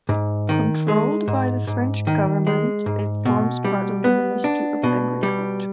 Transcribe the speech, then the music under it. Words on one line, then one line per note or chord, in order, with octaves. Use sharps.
Controlled by the French government, it forms part of the Ministry of Agriculture.
G#2
D#3
G#3
G#2
G#2
D#3
G#3
G#2
B2
G3
B3
D4
B2
G3